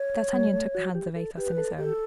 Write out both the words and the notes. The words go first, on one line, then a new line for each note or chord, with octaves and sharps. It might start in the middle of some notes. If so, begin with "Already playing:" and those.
D'Artagnan took the hands of Athos in his own.
Already playing: C#5
G3
A3
F#4
G4
A4
G4 B4
A4
G4 A4